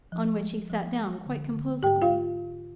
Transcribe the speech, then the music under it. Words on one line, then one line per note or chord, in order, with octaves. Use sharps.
On which he sat down quite composedly.
F3
G#3
F3
G#3
D3
D3
G#2 G4 G5
F4 F5